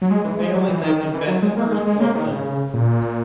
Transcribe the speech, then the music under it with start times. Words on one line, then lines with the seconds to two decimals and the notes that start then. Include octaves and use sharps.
The family lived in Bensonhurst, Brooklyn.
0.02 F#3
0.11 G#3
0.25 E3
0.40 G#3
0.54 F#3
0.69 E3
0.83 D#3
0.98 D#3
1.14 E3
1.27 F#3
1.42 G#3
1.57 A#3
1.72 G#3
1.86 G#3
2.00 A#3
2.15 D#3
2.31 C#3
2.74 A#2